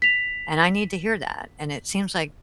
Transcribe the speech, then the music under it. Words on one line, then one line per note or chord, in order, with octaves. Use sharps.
And I need to hear that, and it seems like
B6 F7